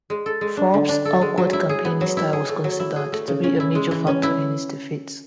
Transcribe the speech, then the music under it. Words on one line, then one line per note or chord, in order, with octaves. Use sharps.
Forbes' awkward campaigning style was considered to be a major factor in his defeat.
G#3
A4
G#3
D4
D3
D4
A4
G#3
F#3
E4
G#4
B3
F#3
E4
G#4
A3
F#3
E4
G#4
A3
C#3
C#4
E4
G#3
E3
C#4
E4